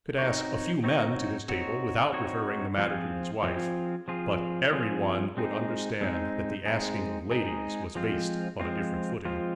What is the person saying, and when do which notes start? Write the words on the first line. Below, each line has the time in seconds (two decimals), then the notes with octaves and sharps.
He could ask a few men to his table without referring the matter to his wife; but every one would understand that the asking of ladies was based on a different footing.
0.19 C4 D#4 F#4 C#5
0.84 C4 D#4 F#4 C#5
1.48 C4 D#4 F#4 C#5
2.13 C4 D#4 F#4 C#5
2.78 F3 C4 F4 G#4
3.43 F3 C4 F4 G#4
4.08 F3 C4 F4 G#4
4.72 F3 C4 F4 G#4
5.37 G#3 C4 D#4 G#4
6.01 G#3 C4 D#4 G#4
6.66 G#3 C4 D#4 G#4
7.31 G#3 C4 D#4 G#4
7.95 F3 G#3 C4 F4
8.60 F3 G#3 C4 F4
9.25 F3 G#3 C4 F4